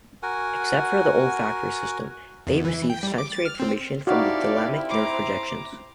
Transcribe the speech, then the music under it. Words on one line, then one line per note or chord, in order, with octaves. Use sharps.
Except for the olfactory system, they receive sensory information from thalamic nerve projections.
F#4 A#4 F#5 G#5
E2
E3
G5
G3
D6
A6
F6
C4
C4 D#4 E4 F#4 G4 A4 D5 F5
C5 A#5 D6